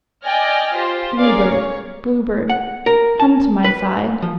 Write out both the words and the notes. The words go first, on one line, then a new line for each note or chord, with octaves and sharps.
"Blue Bird, Blue Bird, Come to my side."
D5 D#5 G5 G#5 F6 A#6
F4 G4 C5
C#4 G#4 A#4 D5 F5
C#5
F#5
A#4
A5
B4
F3